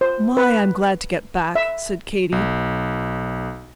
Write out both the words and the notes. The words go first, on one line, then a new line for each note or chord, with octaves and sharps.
"My! I'm glad to get back," said Katy.
C5
B4
E5
B1